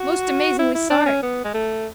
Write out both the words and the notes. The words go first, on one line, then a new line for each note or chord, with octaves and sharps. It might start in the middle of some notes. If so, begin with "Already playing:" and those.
Most amazingly sorry!
Already playing: F#4
E4
E4
D4
C#4
B3
G#3
A3